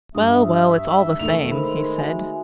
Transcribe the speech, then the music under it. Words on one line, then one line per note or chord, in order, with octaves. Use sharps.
"Well, well, it's all the same," he said.
G2 E5 D#6
D#3 A3 F7
G#3 A#4 C5 B5
F#4 E5 G#5